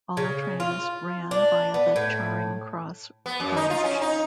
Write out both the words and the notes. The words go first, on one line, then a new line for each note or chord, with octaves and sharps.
All trains ran via the Charing Cross branch.
C#3
F4
D4
B3
A2
B3
F#2
D#4
F4
C#4
D#4